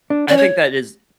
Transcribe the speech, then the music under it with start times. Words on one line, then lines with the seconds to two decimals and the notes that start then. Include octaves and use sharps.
I think that is,
0.10 D4
0.29 C#4 D5
0.37 C#5